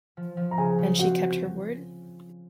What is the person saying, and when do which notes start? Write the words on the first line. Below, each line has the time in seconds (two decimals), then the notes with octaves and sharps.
And she kept her word?
0.17 F3
0.37 F3
0.51 A#5
0.58 C#3 G#4 G#5
0.78 C#3
0.99 C4 F#4 F#5